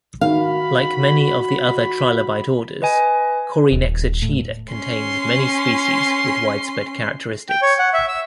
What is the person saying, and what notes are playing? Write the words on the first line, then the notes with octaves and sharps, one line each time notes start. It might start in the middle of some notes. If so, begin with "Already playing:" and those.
Like many of the other trilobite orders, Corynexochida contains many species with widespread characteristics.
D#3 F#4 F5 B5
B4 D#5 G#5
D#1
A2
C#4 C6
G5
C#5
F#5
E5
E6